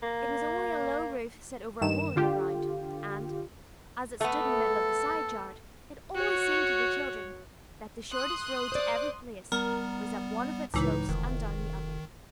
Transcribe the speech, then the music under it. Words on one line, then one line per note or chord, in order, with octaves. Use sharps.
It was only a low roof set over a hole in the ground, and, as it stood in the middle of the side-yard, it always seemed to the children that the shortest road to every place was up one of its slopes and down the other.
A#3
G2 D#3 E7
D3 F4 G4
A3 B3 A4
F#4 C#5
C6 D#6 F#6
C5 D5
G3 B3 A#4
C#2 A2 E3 D#4
F1 D#3